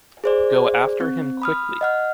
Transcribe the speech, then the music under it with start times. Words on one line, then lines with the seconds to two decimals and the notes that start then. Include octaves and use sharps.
Go after him quickly.
0.24 G#4 C5 D5
1.00 C4
1.42 B5 D#6 F6
1.81 D#5 F#5 F6